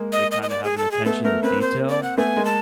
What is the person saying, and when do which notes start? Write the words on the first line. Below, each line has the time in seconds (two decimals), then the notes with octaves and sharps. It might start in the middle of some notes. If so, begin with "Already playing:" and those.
they kinda have an attention to detail,
Already playing: G#3 A#3
0.12 D#5
0.31 D#5
0.43 D#5
0.50 D5
0.64 G#4
0.78 A4
0.91 G#4
1.05 A3 B3 A4
1.24 A3 B3 A#4
1.43 A#3 C4 B4
1.61 C5
1.89 D5
2.03 F#5
2.17 A3 B3 G#5
2.36 G#3 A#3
2.45 A5